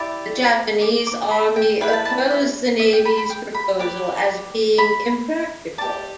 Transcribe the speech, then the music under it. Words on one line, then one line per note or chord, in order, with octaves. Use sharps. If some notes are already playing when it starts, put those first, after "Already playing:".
The Japanese Army opposed the Navy's proposal as being impractical.
Already playing: E4 G4 D5
D6
D6
B5
G5
E4 B4 D5 G5
A5
A5
E5
E5
G5
B5
B5
G5
B5
G4 B4 D5 D6
B5
G4 D5 A5